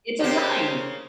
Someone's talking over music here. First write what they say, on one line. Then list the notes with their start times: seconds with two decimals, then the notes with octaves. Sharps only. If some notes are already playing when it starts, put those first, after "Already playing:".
It's a grind.
0.19 C#3 A#3 G4 C5